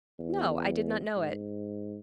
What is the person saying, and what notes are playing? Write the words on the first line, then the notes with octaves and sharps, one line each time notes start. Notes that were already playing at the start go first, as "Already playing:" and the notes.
"No, I did not know it."
E2
G#2